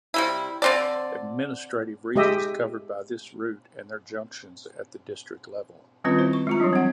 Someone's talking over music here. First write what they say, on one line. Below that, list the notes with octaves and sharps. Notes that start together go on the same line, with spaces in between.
Administrative regions covered by this route and their junctions at the district level.
C3 G3 E4
D3 C4 D5
G#3 G4 D#5 E5
D#3 G3 C4 C#4 F4 B4
E4 C5
C#6
G#3 F4 A#5
E3 F#3 G3 D4
C4 F#5